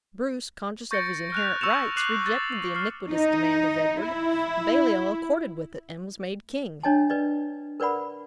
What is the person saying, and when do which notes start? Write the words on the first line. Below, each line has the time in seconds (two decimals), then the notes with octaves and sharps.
Bruce, conscious of his inherent rights, rejected the iniquitous demand of Edward; Baliol accorded with it, and was made king.
0.91 C#6 G6 A6 A#6 C#7 D7
1.32 F6 F#6 F7
1.61 C#6 E6 G6 C#7 E7 F7
1.97 D6 F#6 C7 E7 F#7
2.26 F#6 A6
2.75 F6 C7
3.10 D#4
4.02 E4
6.83 D4 C#5 D#5 G5 A5
7.10 B4 D5 D#5
7.80 A#4 B4 D5 F#5 B5